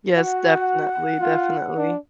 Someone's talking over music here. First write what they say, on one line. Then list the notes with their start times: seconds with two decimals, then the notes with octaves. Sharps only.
Yes, definitely, definitely.
0.15 F#4 F#5
1.20 F4
1.77 D4